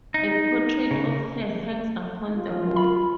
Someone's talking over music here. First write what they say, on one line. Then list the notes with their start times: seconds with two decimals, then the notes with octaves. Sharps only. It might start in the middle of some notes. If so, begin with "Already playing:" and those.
A portrait of her hangs upon the wall.
0.14 D#4
0.91 C#3
2.35 F4
2.76 B5